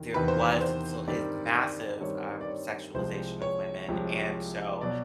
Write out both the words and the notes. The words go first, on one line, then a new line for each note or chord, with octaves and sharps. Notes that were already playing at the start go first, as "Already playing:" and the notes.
there was and still is massive, um, sexualization of women, and so
Already playing: E2 C3 D#3
E2 C3 D#3 B4
C5
B4
C5
G2 D#3 G3 C4 D5
D5
G2 D#3 G3 C4 C#5
D5
C#5
C2 C3 F3 G#3 C5
C#5
C2 C3 F3 G#3
B2 F#3 D5